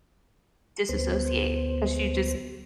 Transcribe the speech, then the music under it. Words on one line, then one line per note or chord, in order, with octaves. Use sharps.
disassociate 'cause she just
D2 B3 C5